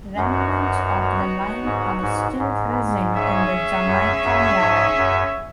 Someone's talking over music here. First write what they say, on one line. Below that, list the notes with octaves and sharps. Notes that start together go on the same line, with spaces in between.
Remnants of the line are still present in the Jamaica Yard.
F#2 B3 D#4 F#4 C#5
G#2
G#2
G#2
C#4 G#4 C#5 E5
F#2
F#2
G#2
F#2